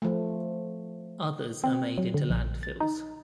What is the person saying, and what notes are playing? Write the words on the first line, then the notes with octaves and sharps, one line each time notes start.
Others are made into landfills.
F3 A3
C4
F#3
D3
A#1
A6
D#4